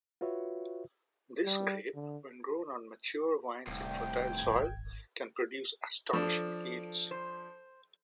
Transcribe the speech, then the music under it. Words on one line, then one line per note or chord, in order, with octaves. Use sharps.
This grape, when grown on mature vines in fertile soil, can produce astonishing yields.
F4 F#4 B4 C#5 E5
G3
D3
D#1 C2 A2 G5
G#1 G#6
F3 D4 A4
C5